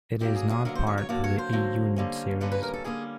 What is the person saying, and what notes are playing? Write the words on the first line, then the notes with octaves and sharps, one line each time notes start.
It is not part of the E-unit series.
D3 F#3 A#3 G4
G#4
G#4
D3 F#3 A#3 A#4
C5
C#5
C#5
D3 F#3 A#3 D5
C#5
C5
D3 F#3 A#3
D3 G3 A#3 C#4
D3 G3 A#3 C#4 B4
B4
A#4
A4
D3 G3 A#3 C#4 G#4